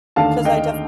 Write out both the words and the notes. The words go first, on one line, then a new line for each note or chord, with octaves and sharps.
'Cause I def
D#2 D3 A3 F5 A5
D#5 G5